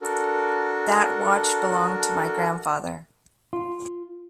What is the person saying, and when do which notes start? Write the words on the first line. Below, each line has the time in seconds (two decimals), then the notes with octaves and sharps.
That watch belonged to my grandfather.
0.01 D4 F#4 A4 A#4
3.53 F4